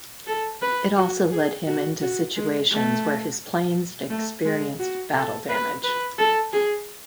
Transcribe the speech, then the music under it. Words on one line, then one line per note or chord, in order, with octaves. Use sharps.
It also led him into situations where his planes experienced battle damage.
A4
B4
F#4
G#4
F#4
F#4
G#3
A3
A3
G#3
F#4
A4
B4
B4
A4
G#4